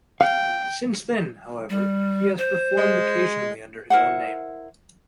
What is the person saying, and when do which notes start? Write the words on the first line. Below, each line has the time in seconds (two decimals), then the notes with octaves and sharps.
Since then, however, he has performed occasionally under his own name.
0.21 F5 G5
1.70 G3
2.38 C5
2.78 G#3
3.90 E4 A#4 C5 F#5